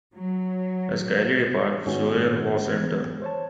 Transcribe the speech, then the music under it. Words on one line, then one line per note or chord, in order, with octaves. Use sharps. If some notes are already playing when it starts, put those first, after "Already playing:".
As Kaylee departs, Zoe and Wash enter.
F#3
G#2 D#3 B3 C#4 F#4 G#4
E3 B3 G#6
C5 C#5 A5